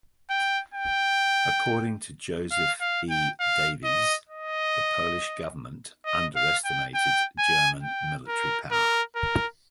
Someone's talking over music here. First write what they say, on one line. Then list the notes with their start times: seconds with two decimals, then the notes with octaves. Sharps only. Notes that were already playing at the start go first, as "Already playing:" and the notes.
According to Joseph E. Davies, the Polish government underestimated German military power.
0.30 G5
0.74 G5
2.51 F5
2.81 F5
3.10 G5
3.40 F5
3.84 D#5
4.29 D#5
6.06 D#5
6.36 F5
6.65 G5
6.94 G5
7.39 G#5
7.83 G5
8.28 A#4
8.72 A#4
9.16 A#4